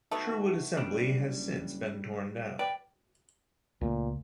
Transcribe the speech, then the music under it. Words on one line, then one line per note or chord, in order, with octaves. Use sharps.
Sherwood Assembly has since been torn down.
D#3 A3 B3 F#4
F#1 G3 D4
B4 D5 G5
C#2 A#2 A3